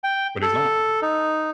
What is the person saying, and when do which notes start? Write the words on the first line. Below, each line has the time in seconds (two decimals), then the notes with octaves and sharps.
but he's not.
0.04 G5
0.42 A4
1.02 D#4